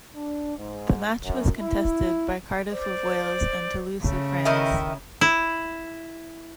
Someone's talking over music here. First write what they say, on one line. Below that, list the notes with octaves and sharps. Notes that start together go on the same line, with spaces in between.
The match was contested by Cardiff of Wales and Toulouse of France.
D4
G#2
F#2
E4
C5 D5
C#3 A3
D#3 E4 A#4 D#5 E5
E4